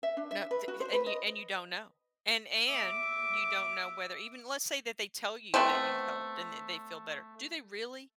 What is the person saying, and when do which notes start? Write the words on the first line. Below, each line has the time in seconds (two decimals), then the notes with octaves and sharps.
No, th and you and you don't know, and and you don't know whether even let's say that they tell you that you've helped and that they feel better, do they really?
0.03 E5
0.17 D4
0.31 E5
0.51 B4
0.68 F#4
0.80 C5
0.93 B4
1.06 D#5
2.70 E5 D6
5.54 A3 B3 C4